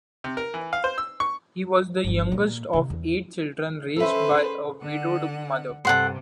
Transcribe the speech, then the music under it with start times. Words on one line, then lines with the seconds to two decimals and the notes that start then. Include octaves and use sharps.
He was the youngest of eight children raised by a widowed mother.
0.24 C3
0.37 A#4
0.54 E3
0.73 F5
0.84 C5
0.98 E6
1.20 C#6
2.04 G1 D#2
2.32 A#2
2.73 C3 D#3
2.90 E2
3.96 C#4 A4 B4 C5 E5
4.31 G#4
4.81 D3 F#5
5.85 G2 C3 A4 F#5 C6